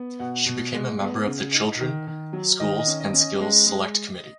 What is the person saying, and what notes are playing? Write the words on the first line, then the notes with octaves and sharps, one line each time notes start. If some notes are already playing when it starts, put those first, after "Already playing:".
She became a member of the Children, Schools and Skills Select Committee.
Already playing: B3
B2 F#5
B2
G#3
B3
C#3
D#4
D#3
D#3
F#3
D#3 D#5
D#5
C#4
D#5
C#4
D#5
G#3
G#3